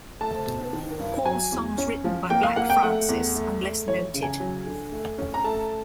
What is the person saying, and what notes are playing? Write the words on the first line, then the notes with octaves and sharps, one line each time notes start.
All songs written by Black Francis, unless noted.
A3 A5
B2
D#3
G2
F#3 G#5
E2
C#4
F3
A#3 G5
F5
A#3 F#5
G5
A3 F#5
E2
A3
A3
E3 C#5
C#3
G#5
F#3
D3
A3
C#4
A#5
A3 A5